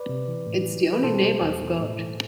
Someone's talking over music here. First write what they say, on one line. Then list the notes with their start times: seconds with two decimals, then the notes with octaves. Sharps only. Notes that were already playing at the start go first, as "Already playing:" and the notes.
It's the only name I've got.
Already playing: B4 D5
0.09 C3
0.28 E3
0.46 A2
0.66 E3
0.85 E3
0.93 B4
1.03 B2 A4 C5
1.23 B2
1.42 E2
1.60 B2
1.79 A2
1.99 E3